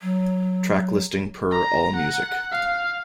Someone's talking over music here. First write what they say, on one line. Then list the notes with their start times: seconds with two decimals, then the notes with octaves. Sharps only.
Track listing per AllMusic.
0.01 F#3
1.51 A#5
1.96 F#5
2.52 F5